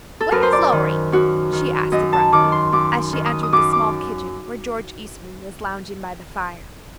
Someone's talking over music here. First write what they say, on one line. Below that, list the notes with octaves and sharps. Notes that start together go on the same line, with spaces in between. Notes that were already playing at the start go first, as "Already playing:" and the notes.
"Where is Lawrie?" she asked abruptly; as she entered the small kitchen where George Eastman was lounging by the fire.
A4
F#2 A#4
C5
D5
D#3
F#2 F#4
D#3
F#2 D#5
A5
D#3 D6
C6
F#2 D6
D#3
D#6
D#6
F#2 D6
D6